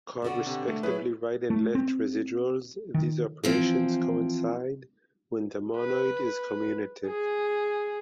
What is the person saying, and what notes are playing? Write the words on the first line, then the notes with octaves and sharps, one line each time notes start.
Called respectively right and left residuals, these operations coincide when the monoid is commutative.
B2 D3 F#4
C3
A3
F#3 E4 G#4 B4
A3
C4
D#3
E3 F3 C4
B4
G#4